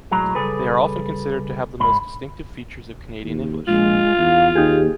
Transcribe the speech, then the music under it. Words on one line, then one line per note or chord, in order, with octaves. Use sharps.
They are often considered to have the most distinctive features of Canadian English.
B1 A2 F#3 G#3 A#5
C#3 G3 G#4 A4 B4
C#2 G#2 G#3 B5
D#2
A#1 G#3 F4
E2 F5
D#2 A#3 D#4 G4 G#4